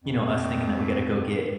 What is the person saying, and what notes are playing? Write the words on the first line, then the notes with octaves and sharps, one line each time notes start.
you know, us thinking that we gotta go get,
F2